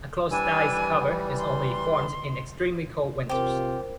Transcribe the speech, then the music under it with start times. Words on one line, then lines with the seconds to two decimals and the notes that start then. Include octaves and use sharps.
A closed ice cover is only formed in extremely cold winters.
0.30 E3 G3 D4 G#5 E6
1.38 C6
3.29 C3 F4 G4 A#4 C5 D6